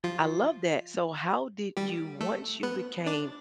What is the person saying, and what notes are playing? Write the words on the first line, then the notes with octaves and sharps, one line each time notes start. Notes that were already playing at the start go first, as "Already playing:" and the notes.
I love that, so how did you once you became
F3 F4
G3 G4
A3 A4
B3 B4
D4 D5